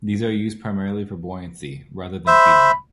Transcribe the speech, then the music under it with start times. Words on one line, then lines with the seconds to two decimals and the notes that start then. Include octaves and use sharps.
These are used primarily for buoyancy, rather than feeding.
2.27 C5 E5 B5